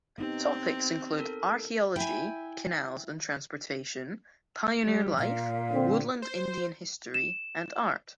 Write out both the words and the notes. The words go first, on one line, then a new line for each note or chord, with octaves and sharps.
Topics include archaeology, canals and transportation, pioneer life, Woodland Indian history, and art.
B3 C4 D#4 G4
A4 A#4
E4 G5 G#5
G3
A#2 F5
D3 C4
C5
E7